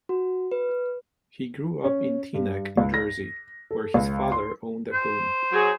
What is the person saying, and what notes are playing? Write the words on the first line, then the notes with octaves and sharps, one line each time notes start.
He grew up in Teaneck, New Jersey where his father owned a home.
F#4
B4
C#4
G2
C#2
A#6
A4
C#2
C6
C5
F#3 G#4